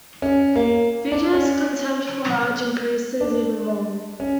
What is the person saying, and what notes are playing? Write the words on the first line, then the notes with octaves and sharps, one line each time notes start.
Vidya's contempt for Raj increases even more.
C#4
A#3
D4
C#4
D4
C#4